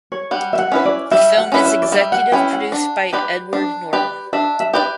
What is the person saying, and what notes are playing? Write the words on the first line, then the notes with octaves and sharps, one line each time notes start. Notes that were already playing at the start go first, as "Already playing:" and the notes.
The film is executive produced by Edward Norton.
C#5
G3 F#5
E5
F#5
C#4 E4 B4
D5
G3 E5
F#5
C#4 E4 B4
E5
D5
G3 E5
F#5
C#4 E4 B4 G5
F#5
D4
G4 B4 D5
D4
G4 B4 D5
D4 E5
E5
G4 B4 D5